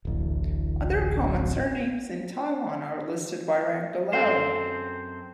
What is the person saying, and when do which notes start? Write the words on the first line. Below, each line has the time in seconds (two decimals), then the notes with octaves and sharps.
Other common surnames in Taiwan are listed by rank below.
0.05 D1 A1
4.13 F#2 C4 A4 C5